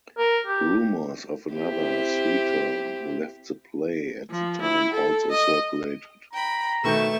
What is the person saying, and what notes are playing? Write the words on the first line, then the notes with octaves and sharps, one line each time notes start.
Rumors of another suitor who left the play at the time also circulated.
A#4
G4
C4 E4 G4
F3
E4
A4
D#5
G5 A#5 B5
B2 D#3 A3 C#6 G6 E7